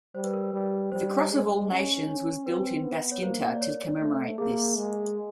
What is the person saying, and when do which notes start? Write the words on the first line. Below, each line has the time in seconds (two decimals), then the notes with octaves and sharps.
The Cross of All Nations was built in Baskinta to commemorate this.
0.15 G3 C5
0.24 B4
0.33 A#4
0.41 B4
0.53 G3
0.92 G3 C5
1.31 G#3
1.69 C#4
2.07 C#4
2.46 C4 B4
2.85 B3
3.12 C#5
3.23 A#3 C5
3.55 D5
3.61 C#5
4.00 A3
4.38 A#3 G#4
4.77 G#3